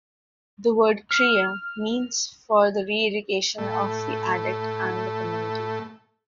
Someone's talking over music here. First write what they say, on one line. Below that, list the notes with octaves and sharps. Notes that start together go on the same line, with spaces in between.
The word "Crea" means for the re-education of the addict and the community.
F6
A2 A3